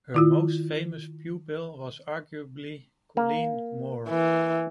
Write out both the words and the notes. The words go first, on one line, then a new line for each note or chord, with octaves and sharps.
Her most famous pupil was arguably Colleen Moore.
D#3 E4 F4
A#3
E3